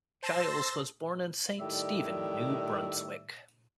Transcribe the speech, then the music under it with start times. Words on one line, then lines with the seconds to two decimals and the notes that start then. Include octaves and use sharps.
Giles was born in Saint Stephen, New Brunswick.
0.23 C5 A5 C6 E6 A#6
1.60 A2 D#3 G3 D5 E5